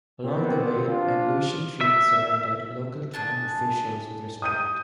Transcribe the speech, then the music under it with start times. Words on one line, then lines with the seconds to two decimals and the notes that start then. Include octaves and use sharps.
Along the way, An Lushan treated surrendered local Tang officials with respect.
0.24 A#2 B3 C4
0.86 F3 D4 F4
1.81 E5
3.14 D4 G#4 A5
4.42 D#6 G6 D#7